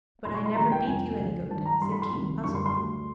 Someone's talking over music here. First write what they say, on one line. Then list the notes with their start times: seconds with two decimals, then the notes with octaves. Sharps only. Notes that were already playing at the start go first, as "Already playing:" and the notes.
"But I never did you any good," said Jean, puzzled.
0.25 E2 B2 G3 C6
0.35 C#6
0.46 C6
0.55 D2 C#3 E3 G3 A#5
0.72 G5
0.87 F2 C3 F3 G#5
1.19 C#2 C#3 F3
1.50 G2 D#3 F#3 A5
1.66 A#5
1.81 G2 E3 G3 C6
1.92 B5
2.02 C6
2.13 C#2 C3 D#3 F#3
2.44 F#2 D3 G3 C#6
2.55 C6
2.66 C6
2.76 D2 D3 G3